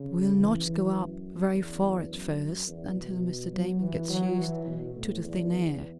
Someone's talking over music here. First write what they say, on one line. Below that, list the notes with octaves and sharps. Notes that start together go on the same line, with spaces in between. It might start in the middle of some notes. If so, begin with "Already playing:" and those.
"We'll not go up very far at first, until Mr. Damon gets used to the thin air."
Already playing: C#3
E3
E3
F#2
E2
F#2
E2
B2
F#3
E3
F#3
E3
B2
A2
E2
E2